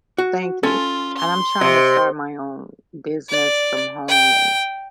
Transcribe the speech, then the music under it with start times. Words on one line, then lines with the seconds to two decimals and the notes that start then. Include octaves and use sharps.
Thank you. And I'm trying to start my own business from home and,
0.18 F#4
0.63 C#4 F4 A4 G#5
1.17 C6
1.61 C3 D#5
3.29 D5
4.09 G5